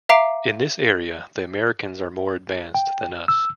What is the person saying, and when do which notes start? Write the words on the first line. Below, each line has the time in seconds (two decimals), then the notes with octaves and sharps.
In this area the Americans are far more advanced than us.
0.09 E5 F5 A#5 D6 C7 D7
2.75 G5
3.28 E6